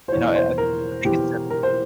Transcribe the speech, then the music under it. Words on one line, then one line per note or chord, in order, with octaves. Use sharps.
you know, I I I think it's different.
C5
E1 E2 E3 C#5
C5
A#4
E1 E2 E3 G4
A#4
C5